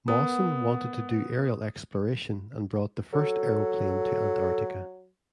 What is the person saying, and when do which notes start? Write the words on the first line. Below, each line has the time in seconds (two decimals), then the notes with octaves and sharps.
Mawson wanted to do aerial exploration and brought the first aeroplane to Antarctica.
0.08 B3 A#4 F#5 D#6
3.13 F#3 A4